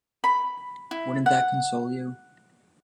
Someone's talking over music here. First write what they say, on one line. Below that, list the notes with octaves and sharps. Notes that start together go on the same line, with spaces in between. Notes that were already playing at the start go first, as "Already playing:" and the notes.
Wouldn't that console you?
B5
E4
F#5